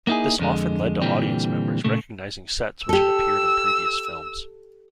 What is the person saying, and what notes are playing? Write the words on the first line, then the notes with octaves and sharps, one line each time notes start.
This often led to audience members recognising sets which had appeared in previous films.
A#3 B3 D#4 E4 G#4
F2 D3 G#3
A#2 D3 E3 G3 C4
A#2 C#3 A3
G4 A4 E6